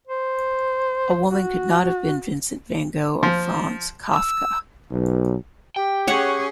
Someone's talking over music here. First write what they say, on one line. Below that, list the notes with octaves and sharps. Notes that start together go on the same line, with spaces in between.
A woman could not have been Vincent van Gogh or Franz Kafka.
C5
F#4
F3
E6
B1
G4 G5
C#4 G#4 C#5 F#5